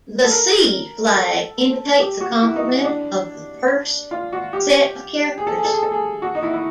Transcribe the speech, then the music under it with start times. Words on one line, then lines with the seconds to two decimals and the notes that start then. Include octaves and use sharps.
The "c" flag indicates the complement of the first set of characters.
0.24 A4
0.31 A#4
1.06 A#4
1.15 A4
2.00 G4
2.21 F#4
2.42 E4
2.56 D#4
2.70 D#4
2.84 D4
4.11 F4
4.33 F#4
4.53 G4
5.38 G#4
5.47 A4
5.56 G#4
5.65 A4
5.73 G#4
5.83 A4
5.92 G#4
6.22 F#4
6.35 D#4
6.43 E4
6.54 E4